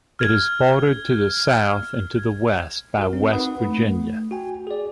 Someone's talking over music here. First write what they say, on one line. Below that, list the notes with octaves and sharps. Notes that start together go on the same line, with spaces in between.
It is bordered to the south and the west by West Virginia.
F6 G#6
F#4 A#4
C4
D#4 B4 F#5 B5 D#6
A3
F#4 G5 G#5
G#4 D5